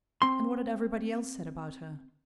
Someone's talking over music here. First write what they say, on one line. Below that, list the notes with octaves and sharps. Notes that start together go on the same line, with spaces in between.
And what had everybody else said about her?
C4 C6